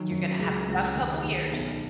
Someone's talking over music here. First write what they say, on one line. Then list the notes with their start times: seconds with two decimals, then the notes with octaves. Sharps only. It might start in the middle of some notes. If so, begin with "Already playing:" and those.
you're gonna have a rough couple of years"
Already playing: D#3 F#3 F#4
0.10 F#2
0.39 C#2
0.68 C#2
0.96 D#2
1.24 D#2
1.53 B1